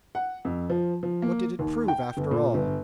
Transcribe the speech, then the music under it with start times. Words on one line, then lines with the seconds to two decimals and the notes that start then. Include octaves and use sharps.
What did it prove after all?
0.15 F#5
0.45 F2
0.70 F3
1.03 F3
1.22 A#3
1.59 D#2
1.88 G5
2.17 G1
2.31 A#2
2.54 G1